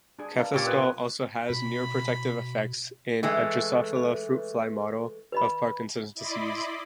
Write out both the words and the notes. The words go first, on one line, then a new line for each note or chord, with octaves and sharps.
Cafestol also has neuroprotective effects in a "Drosophila" fruit fly model of Parkinson's disease.
D4 G#4
D4 A#4 B4 D#5 F5
A#2 C#4 G4 A#4 C#5
F4 A#4 B4 D#5 G#5
B2 B5
E3 G#3 A3 G5
B4
B4 D#5 B5
E4 D5 D#5 B5 C6 D6